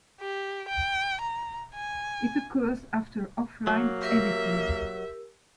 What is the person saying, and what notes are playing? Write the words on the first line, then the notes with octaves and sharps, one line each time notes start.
It occurs after offline editing.
G4
G5
A#5
G#5
F#3 A#3
G4 A#4 E5 E6